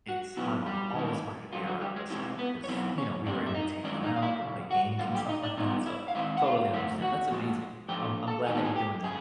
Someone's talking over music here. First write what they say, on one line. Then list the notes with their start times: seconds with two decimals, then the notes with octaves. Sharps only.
it's my mom always wanted to be around us now because, you know, we were able to take him out, go play games and stuff like that, so, totally understand. That's amazing. I'm I'm glad that you're doing that.
0.09 F#4
0.37 B2 F#3 B3 E4 F#4
0.66 G3 G4
0.95 D#3 G#3 C#4 E4
1.52 G2 D3 F#3 F4
1.67 F#4
1.81 G3 G4
1.96 G#3 G#4
2.10 B2 G3 G#3 C4 E4 G4
2.39 B3 B4
2.64 C#5
2.68 B2 F#3 B3 C4 E4 C5
2.98 C#4 C#5
3.26 A#2 F3 A3 C4 D4 D5
3.47 E5
3.55 D#4 D#5
3.84 D#3 G#3 C#4 D4 F4 D5
4.03 D#4 D#5
4.16 F5
4.22 E4 E5
4.41 F#2 C#3
4.70 F#4 F#5
4.99 F#2 D3 G3 F4 F5
5.14 G4 G5
5.28 D#4 D#5
5.43 D4 D5
5.57 D3 G3 B3 D4 D#4 F4 D#5
5.86 E4 E5
6.08 F5
6.15 D#3 G#3 C4 E4 E5
6.37 F#5
6.44 F4 F5
6.73 F2 D3 F#3 A3 E4 E5
7.02 F#4 F#5
7.31 A2 F3 G#3
7.89 G#2 F3 A3 D4 G4 G5
8.28 A4 A5
8.46 D#3 G#3 B3 D#4 G#5
8.55 A5
8.64 G#4 G#5
8.75 G4 G5
9.04 D3 G#4 G#5